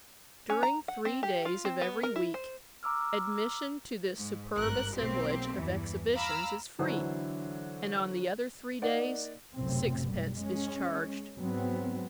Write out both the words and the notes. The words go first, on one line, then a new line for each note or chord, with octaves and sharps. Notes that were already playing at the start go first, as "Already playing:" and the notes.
During three days of every week admission to this superb assemblage of exhibitions is free, and on the other three days sixpence is charged.
C#4
A#5
F#5
C4
G4
F4
C4
B3
A#4
E4
C5
A#5 D6 E6 F6
G#2
G#1 G2 A#4 F#6
B1 A#3 C4 G4
E2 G2 E3
F5 A#5 B5 D6 E6 F6
D3 E3 F#3 D4 E4 C5
A#3 D#4 D5 F#5
F1 B1 F#2 A2 C3 C4
B2 G3
G#3 C#4
G#2 F#3 B3 C4